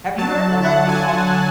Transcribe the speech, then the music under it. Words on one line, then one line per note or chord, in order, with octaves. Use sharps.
Have you heard of that before?
F#3 A5
D3
F#5
D3
G#5